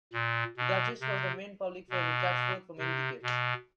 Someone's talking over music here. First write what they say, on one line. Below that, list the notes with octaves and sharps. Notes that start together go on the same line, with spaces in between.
The Duchess was the main public face of Chatsworth for many decades.
A#2
B2
C3
B2
C3
B2